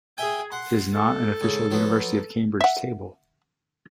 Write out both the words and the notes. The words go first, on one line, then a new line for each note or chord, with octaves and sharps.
It is not an official University of Cambridge table.
G#4 E5 G5 G#5
F#5 C6
A4
G#2 C#3
F3 F#3 B3
E5 F#5